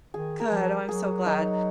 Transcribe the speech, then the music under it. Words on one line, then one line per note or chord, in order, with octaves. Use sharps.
Good. Oh, I'm so glad.
D#3 G#4
A#4
F3
F#3 G#4
D#4